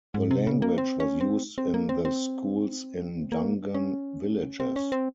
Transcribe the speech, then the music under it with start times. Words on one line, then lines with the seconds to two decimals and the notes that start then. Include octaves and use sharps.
The language was used in the schools in Dungan villages.
0.14 G#2
0.31 C3
0.47 C#3
0.62 A#3
0.78 C4
1.00 C#4
1.21 C4
1.58 C4
1.74 A#3
1.89 C4
2.05 C4
3.32 A#3
3.75 C#4
4.60 C4
4.76 C#4
4.92 C4